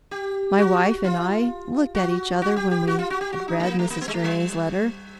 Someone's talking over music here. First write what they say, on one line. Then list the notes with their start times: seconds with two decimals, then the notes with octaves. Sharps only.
My wife and I looked at each other when we had read Mrs. Germaine's letter.
0.11 G4
0.58 F#4
1.04 F4
1.95 F#4
2.42 F#4
2.56 G4
2.71 G4
2.87 F#4
2.99 F4
3.10 F#4
3.21 G4
3.33 F#4
3.48 D#4
3.60 A3
3.63 A#3
3.79 A3
3.90 A#3
4.01 B3
4.08 G#3
4.14 A3
4.24 G3